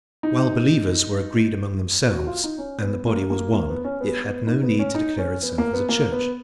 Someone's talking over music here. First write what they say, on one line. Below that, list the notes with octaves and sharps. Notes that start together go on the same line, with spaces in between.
While believers were agreed among themselves and the body was one, it had no need to declare itself as a church.
D#4
F#4
F4
D#4
C#4
B3
A#3
A#3
A#3
B3
C#4
B3
B3
D#4
B3
C#4
D#4
C#4
B3
A#3
B3
A#3
B3